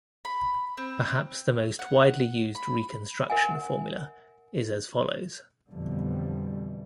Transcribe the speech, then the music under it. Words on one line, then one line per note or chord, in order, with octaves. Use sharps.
Perhaps the most widely used reconstruction formula is as follows.
B5
C4
F#5
B5
A#4 E5 F#5 G#5
F2 B2 D3 E3 G3